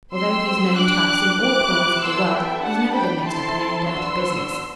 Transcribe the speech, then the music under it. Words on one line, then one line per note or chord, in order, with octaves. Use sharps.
Although he's known toughs in all corners of the world, he's never been mixed up in any dirty business.
C4 G4 C6 E6
D4 G4 D6 F#6
C4 E4 G4 D6 F#6
B3 E4 A4 C6 E6
E5 G5
D4 G4 F#5 A5
G5 B5
C4 E4 A4 A5 C6
B3 D4 F#4 C6 E6